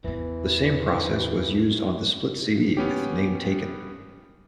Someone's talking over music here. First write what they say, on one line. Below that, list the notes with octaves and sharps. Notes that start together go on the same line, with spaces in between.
The same process was used on the split CD with Name Taken.
E2 E3 B3
B3 C#4 G4